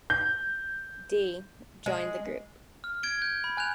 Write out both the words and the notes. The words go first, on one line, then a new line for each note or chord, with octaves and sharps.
D., joined the group.
G6
G#3
F6
G#6 D7 G7
G6
B5
G#5 F#6 G6 F7